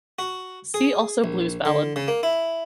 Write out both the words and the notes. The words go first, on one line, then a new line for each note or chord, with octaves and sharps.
See also blues ballad.
F#4
G#4
A#1
D3
C#3
A#3
E4